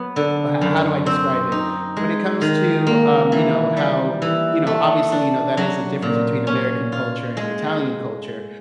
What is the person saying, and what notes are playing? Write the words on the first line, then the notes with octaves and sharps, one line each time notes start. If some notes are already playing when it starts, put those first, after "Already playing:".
h how do I describe it? When it comes to, um, you know, how, you know, obviously, you know, that is the difference between American culture and Italian culture.
Already playing: F#3 B3
D3
F#2
C4
D#4
G#3
D#3
A#3
E3
G3
E3
A3
D4
F#3
A#2
C#4
F4
G#3